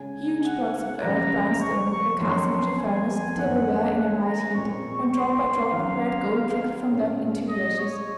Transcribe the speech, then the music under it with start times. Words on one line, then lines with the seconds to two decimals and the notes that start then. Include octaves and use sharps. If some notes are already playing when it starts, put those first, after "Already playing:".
Huge blocks of earth-brown stone were cast into the furnace until they were in a white heat, when drop by drop red gold trickled from them into the ashes.
Already playing: C#3 G#3 C#4 G#5
0.43 F#5
1.02 F2 C#3 F#3 C#4 A#5
1.60 C#6
1.90 C#6
2.19 F2 D#3 F#3 A#3 C#4 C6
2.78 G#5
3.37 F#2 D#3 A#3 C#4 F#5
3.96 G#5
4.25 A#5
4.55 A#2 G#3 C4 C#6
5.14 C6
5.72 D#3 F#3 C#4 F5
6.90 A#2 G#3 C#4
7.49 D#5
7.78 C#5